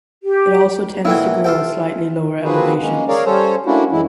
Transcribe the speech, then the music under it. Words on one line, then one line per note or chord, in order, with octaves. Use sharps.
It also tends to grow at slightly lower elevations.
G4
A#2 E3 F#3 E4 F4 A4 G5
F4 G4 A4 F#5 G5
F3 A#3 C4 F#4 G#4 B4
G#3 A#3 C#4
G#4 A#4 C#5 D5 F5
G3 C#4 A4 C5 C#5
A3 A#3 C#4 D4 E4 F#4
F#2 E3 G#3 E4